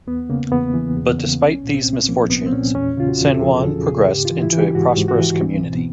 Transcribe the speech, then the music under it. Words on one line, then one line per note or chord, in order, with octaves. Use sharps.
But despite these misfortunes, San Juan progressed into a prosperous community.
E2 B3
C#3 A#3
E2 B3
E3
E2
C#3
C2 C#4
A#2
C4
C2
F3 A#3
C2 B3
C4
A#2 C#4
E2 C#4
C#3 F4
F#4
E2
A4
F3 G#4
E2 A4
C#3 G#4
G#2 G4
F4
E3
E4
E3
G4
G#2 F#4
G#2
F#4
E3
C#2 C4
B2
B3